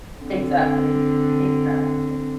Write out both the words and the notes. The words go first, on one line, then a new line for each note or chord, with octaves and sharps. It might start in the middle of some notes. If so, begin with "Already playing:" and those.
Exactly. Exactly.
D3 C4